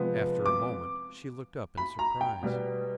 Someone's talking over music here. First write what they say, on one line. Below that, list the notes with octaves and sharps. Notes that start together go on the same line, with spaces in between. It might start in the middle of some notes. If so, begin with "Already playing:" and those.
After a moment she looked up in surprise.
Already playing: C3 F3 G#3 B3
D6
B5
A#5
G5
B2 G3 B3